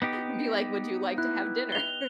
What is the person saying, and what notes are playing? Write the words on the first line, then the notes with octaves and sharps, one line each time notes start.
and be, like, "Would you like to have dinner?"
B3 D#4 G4
E4 F#6
F7 G7